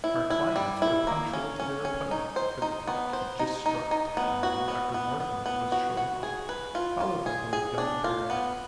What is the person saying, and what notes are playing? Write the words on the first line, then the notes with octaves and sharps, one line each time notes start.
Our clients were punctual to their appointment, for the clock had just struck ten when Dr. Mortimer was shown up, followed by the young baronet.
E4
E4
G3
E4
A#3
C#4
C#4
C#4
D#4
C5
D#4
B3
C5
D#4
D#4
D#4
B3
F#4
B3
B3
B3
B3
F#4
F#4
G#4
B4
F4
F4
G#4
G#4
D4
F4
B3